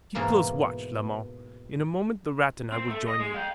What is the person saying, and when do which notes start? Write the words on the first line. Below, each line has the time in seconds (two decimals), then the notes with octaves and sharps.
"Keep close watch, La Mon; in a moment the Rat and I will join you."
0.15 G#2 B2 E3 A#3
2.72 C4
2.89 A3
3.08 D#5
3.20 G#3
3.35 F5 G5